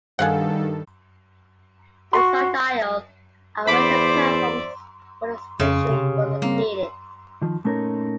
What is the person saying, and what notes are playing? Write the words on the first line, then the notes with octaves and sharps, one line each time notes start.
The side aisles are where the platforms for the station were located.
G2 D#3 G#4 A4 F5 F#5
F#4 C6 C#6
E2 C5 D5 E5 B5 D6
F2 C#3 C#4
C3 G4 G#4
G3 A#3 C4
D#3 F3
A#2 A3 C#4 D#4 A#4 C#5